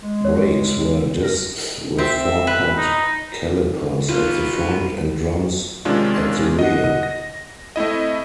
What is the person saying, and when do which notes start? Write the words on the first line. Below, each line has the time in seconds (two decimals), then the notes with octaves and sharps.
Brakes were discs with four-pot calipers at the front, and drums at the rear.
0.02 G#3
0.25 C#5
1.23 A#4
1.98 C4 E5
2.47 B4
2.77 D#4
4.09 F#3 F4 B4
5.85 C3 D#3 G#3 C#4 D4 F4
6.59 D#5 F#5
7.03 A#6
7.76 A3 C4 E4 D#5